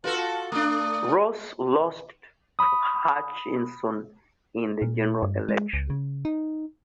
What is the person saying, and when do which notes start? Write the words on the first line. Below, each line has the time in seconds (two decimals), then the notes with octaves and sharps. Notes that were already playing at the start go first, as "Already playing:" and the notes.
Ross lost to Hutchinson in the general election.
0.04 F4 F#4 A4 B4
0.18 A5
0.52 A3 D4 D#6
2.59 B5 D#6
4.82 A#2
5.23 G2
5.49 G#3
5.73 C#2
5.90 C#3
6.25 D#4